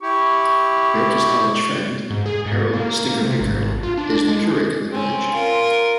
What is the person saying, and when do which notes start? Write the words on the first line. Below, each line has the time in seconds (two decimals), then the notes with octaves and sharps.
Bertie's college friend, Harold 'Stinker' Pinker, is the curate of the village.
0.01 E4 G4 C#6
2.10 G#2
2.26 G#4
2.46 G#2
2.73 A#3
3.05 A#3
3.24 C3
3.40 G#1
3.83 F4
3.97 D4
4.28 G#3
4.91 C4 C#4
5.32 F4 A#4